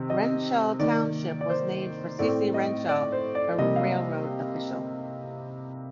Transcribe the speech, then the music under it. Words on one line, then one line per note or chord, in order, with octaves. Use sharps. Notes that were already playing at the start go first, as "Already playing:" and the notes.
Wrenshall Township was named for C. C. Wrenshall, a railroad official.
Already playing: C3 D#3 C4
D#5
D#3 A#3 D5
D5
C5
A2 A3 C4 D5
D#5
D5
C5
D5
C3 G3 A#3 D#5
F5